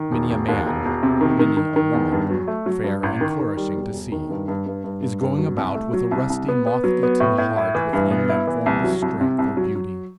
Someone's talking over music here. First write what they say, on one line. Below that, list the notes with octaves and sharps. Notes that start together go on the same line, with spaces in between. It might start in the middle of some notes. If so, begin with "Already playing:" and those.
Many a man, many a woman, fair and flourishing to see, is going about with a rusty moth-eaten heart within that form of strength or beauty.
Already playing: D#3
E1
E1
D#2
E1
E1
C3
D#3
D#3
D#3
D#3
E2
G2
F#3
A3
F#3
G2
A1
D#3
D#3
G3
E1
E1
D#3
G2
G2
G2
G2
G2
G2
F#3
C2
A3
F#3
C2
C2
B3
B3
F#3
B3
A2
A2
E4
E3
G2
B3
E4
E3
C2
F#3
C2
C3
C2
F#3
F#3